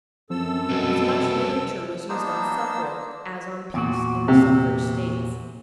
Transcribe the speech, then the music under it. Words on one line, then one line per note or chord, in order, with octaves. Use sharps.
As much literature was used on suffrage as on peace in the suffrage states.
F#2 F3 C4 A4 E6
C2 B2
A#3 B3 D4 D#4 C5 E6
E2 A#2 F#4
C3